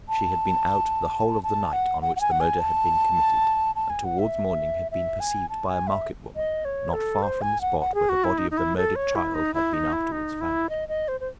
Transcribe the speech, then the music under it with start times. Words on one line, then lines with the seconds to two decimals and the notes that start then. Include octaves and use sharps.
She had been out the whole of the night on which the murder had been committed and towards morning had been perceived by a market-woman not far from the spot where the body of the murdered child had been afterwards found.
0.09 A5
1.44 A5
1.73 F#5
2.02 F#5
2.16 F#5
2.21 G#5
2.31 F#5
2.40 G#5
2.60 A5
3.76 A5
3.90 G#5
4.04 F#5
4.19 E5
4.91 E5
5.20 G#5
5.49 A5
5.68 G#5
5.87 E5
6.36 D#5
6.65 C#5
6.93 A4
7.23 C5
7.42 G#5
7.61 F#5
7.80 F#5
7.94 G#4
8.09 F#4
8.24 E4
8.38 D#4
8.51 D#4
8.57 E4
8.77 A4
8.96 C#5
9.15 E4
9.34 D#4
9.54 E4
9.73 D#4
9.93 E4
10.12 D#4
10.41 E4
10.69 D#5
10.88 D#5
11.08 C5
11.20 C5